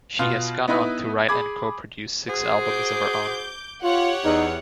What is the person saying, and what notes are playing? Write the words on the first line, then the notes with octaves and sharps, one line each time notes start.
She has gone on to write and co produce six albums of her own.
B2 F4
B3 D#4 E4 B4
G#4 B5 D6 G#6
F#4 G#4 C5
D6 G6
F4 G4 C#5 F#5
E2 D#4